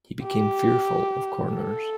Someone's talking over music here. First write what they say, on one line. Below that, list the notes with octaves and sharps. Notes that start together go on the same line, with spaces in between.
He became fearful of corners.
G4
A4